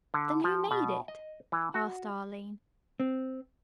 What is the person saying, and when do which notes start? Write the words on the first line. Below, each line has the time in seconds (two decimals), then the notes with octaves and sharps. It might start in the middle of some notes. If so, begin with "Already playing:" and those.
"Then, who made it?" asked Arline.
0.14 D3
0.44 F3
0.71 B2
1.08 D#5
1.52 E3
1.74 F#4
3.00 C4